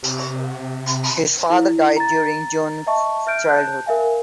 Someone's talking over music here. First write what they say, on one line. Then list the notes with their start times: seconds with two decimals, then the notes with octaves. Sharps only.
His father died during Jones's childhood.
0.03 C3
1.50 E4 A4
1.96 A#5 A6
2.87 D#5 E5 A5 C#6
3.27 E5 F6 G6 D7
3.49 A5 F#6 G6
3.86 A#4 E5 F5 G#5